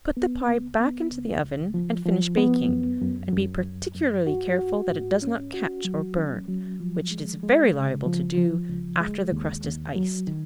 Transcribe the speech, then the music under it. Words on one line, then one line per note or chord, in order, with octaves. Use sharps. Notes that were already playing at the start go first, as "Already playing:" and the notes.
Put the pie back into the oven, and finish baking, and be particularly careful that it does not catch or burn, which it is very liable to do after the crust is iced.
B3
C#2
B3
C#2
C#2
F3
F3
B3
F#2
F#2
F#2
F#2
F#2
F#4
F#4
G#2
C#4
F#4
F#3
C#4
F#3
F3
G#3
G#3
C#3
F3
F3
C#2
G#3
D#2
D#2
F#3
D#3